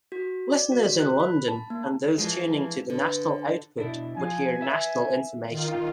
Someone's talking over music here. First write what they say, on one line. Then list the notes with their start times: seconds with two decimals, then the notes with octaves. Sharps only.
Listeners in London and those tuning to the national output would hear national information.
0.12 F#4
0.53 D5
0.72 F#4
1.00 F#6
1.20 B5
1.48 A5
1.70 A#3
2.18 E3 F3 G#3
2.90 D3 B4
3.78 B2 D4 E4
4.17 F3 F4 G#5
4.61 B4 E5
5.49 D#3 F4